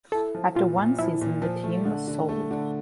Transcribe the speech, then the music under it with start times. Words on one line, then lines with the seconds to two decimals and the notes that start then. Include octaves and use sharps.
After one season the team was sold.
0.12 E4 A4
0.35 F3
0.55 A#2 F4
0.78 A#2
0.99 F3 E4
1.21 A#2
1.42 F3
1.64 A3
1.85 D3
2.08 D3
2.29 A3
2.51 D3